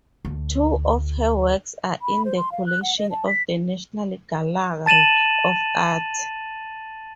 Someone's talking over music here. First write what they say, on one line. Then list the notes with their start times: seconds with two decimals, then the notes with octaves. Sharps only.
Two of her works are in the collection of the National Gallery of Art.
0.25 D2
2.02 B5
2.25 C5
2.37 C6
2.52 F5
2.66 F#6
2.82 F#5
2.98 D#5
3.11 A5
3.27 B6
4.86 A5 A6 D#7 E7 F#7